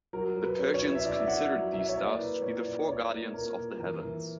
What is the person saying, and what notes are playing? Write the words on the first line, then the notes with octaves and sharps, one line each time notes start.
The Persians considered these stars to be the four guardians of the heavens.
F#3 A#4
F#3
B4
C#4
C#5
E4
E5
E4 D5
E5
C#4 F#5
F#3
E4 E5
C#5
A#3 D5
E4 B4
A#2 C#5
A#2 D5
E4 C#5
A#3
A#2 A#4
A#2
E3 A#4
E3